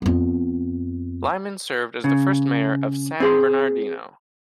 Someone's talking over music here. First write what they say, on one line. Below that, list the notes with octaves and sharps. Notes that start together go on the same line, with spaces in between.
Lyman served as the first mayor of San Bernardino.
F2 B3
C#3
C4 G#4 C6